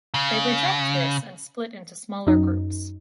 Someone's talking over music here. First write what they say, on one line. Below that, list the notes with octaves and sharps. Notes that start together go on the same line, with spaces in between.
They reject this and split into smaller groups.
C#3
F#2 D#4